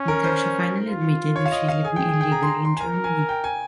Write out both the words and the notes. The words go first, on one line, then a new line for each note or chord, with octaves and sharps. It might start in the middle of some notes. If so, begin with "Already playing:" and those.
Natasha finally admitted that she is living illegally in Germany.
Already playing: C#4
A#4
C5
F4
C#5
F5
D#5
F5
G#4 G#5
G5
G5
G5
A#5
C6
A#5
C6
G#5
A#4 A#5
G#5
G5
G#5